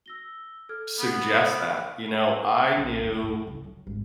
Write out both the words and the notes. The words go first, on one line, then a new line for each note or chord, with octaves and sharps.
suggest that, you know, I knew,
E6 A#6 G7
A4 F6 G#6
B3
A4 C5 D#5
B1
F1
A2
C#2
F#3
G#1